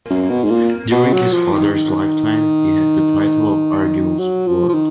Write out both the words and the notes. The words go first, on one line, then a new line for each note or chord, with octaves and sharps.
During his father’s lifetime, he had the title of Arguel’s Lord.
F#2
B2
G#2
A#2
B2
F#3
F3
D#3
D#3
F#3
F3
F3
D#3